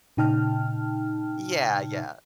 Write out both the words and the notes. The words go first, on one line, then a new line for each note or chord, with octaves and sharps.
Yeah, yeah.
A#2 C#3 D#4 G5 A5 F6